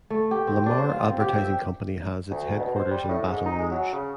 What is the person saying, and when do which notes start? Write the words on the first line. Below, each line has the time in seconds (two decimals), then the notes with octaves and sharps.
Lamar Advertising Company has its headquarters in Baton Rouge.
0.10 A3
0.31 G4
0.47 C4
0.66 D4
0.78 C5
0.90 F4
1.04 C4
1.20 G4
1.38 E5
2.31 D2
2.59 B2
2.75 C5
2.91 G3
3.09 A2
3.26 G#2
3.46 D#4
3.59 G#3
3.71 F#3
3.92 C#3